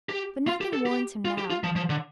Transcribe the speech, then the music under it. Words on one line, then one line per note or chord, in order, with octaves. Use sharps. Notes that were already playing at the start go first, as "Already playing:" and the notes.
But nothing warns him now.
G4
F4
G4
A4
G4
F4
G4
F4
F3
F3
D3